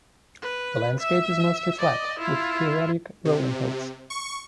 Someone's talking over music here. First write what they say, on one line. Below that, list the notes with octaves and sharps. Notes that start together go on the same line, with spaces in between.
The landscape is mostly flat, with periodic rolling hills.
B4
E5
D5 D#5
E4 F4
C3
C#6